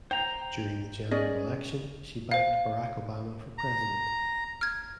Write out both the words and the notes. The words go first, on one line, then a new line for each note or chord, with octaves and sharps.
During the general election she backed Barack Obama for president.
C5 G5 A#5
C#4 G#4 D5 D#5
C5 F5
A#5
F6 G#6